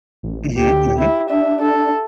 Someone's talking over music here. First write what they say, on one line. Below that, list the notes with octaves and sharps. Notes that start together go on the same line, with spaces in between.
Mhm. Mhm.
A1
D2 G4
E4
D4 E5
A4